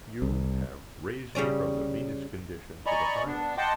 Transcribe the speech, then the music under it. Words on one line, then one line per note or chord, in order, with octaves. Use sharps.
You have raised me from the meanest condition to the highest.
C2
C#3 G3 C#4 D5
D5 D#5 G#5 A#5 B5 C#6
B3 D4
D#5 F#5 G5 A5 C6 D6